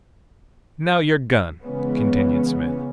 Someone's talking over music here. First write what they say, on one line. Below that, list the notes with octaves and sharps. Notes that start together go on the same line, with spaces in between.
"Now your gun!" continued Smith.
C#3 E3 G#3 B3 C#4